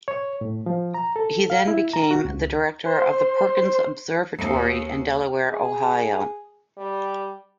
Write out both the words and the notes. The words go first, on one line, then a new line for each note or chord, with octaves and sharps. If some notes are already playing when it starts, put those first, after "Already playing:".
He then became the director of the Perkins Observatory in Delaware, Ohio.
C#5
A2
F3
A#5
A4
F5
E4
A#5
F#4
C#2
C5
D#2
G#4
G3